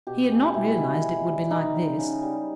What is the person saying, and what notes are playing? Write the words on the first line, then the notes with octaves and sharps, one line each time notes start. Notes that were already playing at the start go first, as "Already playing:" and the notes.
He had not realized it would be like this.
B2 G4
G#3
B2 E4
G#3
B2
G3
B2 D#4
G3
C#3
G3